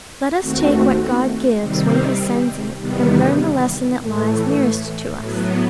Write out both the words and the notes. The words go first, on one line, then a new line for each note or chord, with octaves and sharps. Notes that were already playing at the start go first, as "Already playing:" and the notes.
Let us take what God gives when He sends it, and learn the lesson that lies nearest to us.
D#2 D#3 A3 C4 F#4
C3 D#3 G3 C4
E2 C3 D#3 G3 B3
A2 E3 A3
A2 F#3 B3